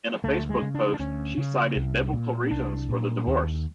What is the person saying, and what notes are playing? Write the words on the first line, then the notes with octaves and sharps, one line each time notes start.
In a Facebook post, she cited "Biblical reasons" for the divorce.
D2 A3
G#3
C#3
D4
D4
D2 C#4
C#3
C2
A#2
C2 D4
A#2
D#2